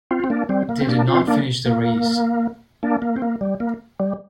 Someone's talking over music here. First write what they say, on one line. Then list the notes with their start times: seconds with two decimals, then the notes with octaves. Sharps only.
They did not finish the race.
0.11 C4 F4
0.24 C4
0.30 A#3 D4
0.49 G3 C4
0.69 A#3
0.80 C4
0.89 A#3 D4
1.08 C4 F4
1.27 A#3 D4
1.66 A#3
2.83 A#3 D4
3.02 A#3
3.16 C4
3.22 A#3
3.41 G3
3.60 A#3
4.00 G3